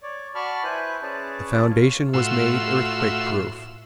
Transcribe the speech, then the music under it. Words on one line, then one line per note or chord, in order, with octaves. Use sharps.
The foundation was made earthquake-proof.
C#5 D5
F#4 D5 A5 B5 C#6 F6
E4 B4 C5 G#5 F#6
C#4 G#4 B4 C#5 D5 A5
F4 C#5
A2 F4 F#4 E5 C6 E6